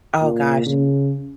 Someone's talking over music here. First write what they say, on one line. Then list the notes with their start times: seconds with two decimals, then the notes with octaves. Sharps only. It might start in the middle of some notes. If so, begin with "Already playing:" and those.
Oh gosh.
0.22 A#2
0.66 C#3